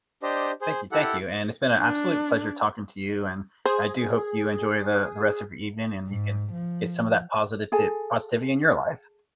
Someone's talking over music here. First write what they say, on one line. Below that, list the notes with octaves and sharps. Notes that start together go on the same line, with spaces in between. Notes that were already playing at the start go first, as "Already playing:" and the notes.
Thank you, thank you, and it's been a absolute pleasure talking to you, and I do hope you enjoy the the rest of your evening and you can get some of that positivtiv positivity in your life.
D4 G4 C5 D#5
G#4 C5
E4 G4 A4 F#5
D4
G#4 C5
G#2
F3
G#4 A4 G#5 A5